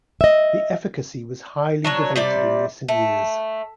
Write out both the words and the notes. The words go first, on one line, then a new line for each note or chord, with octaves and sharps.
The efficacy was highly debated in recent years.
D#5 E5
F#3 D4 C#5
C3 G3 D5
A3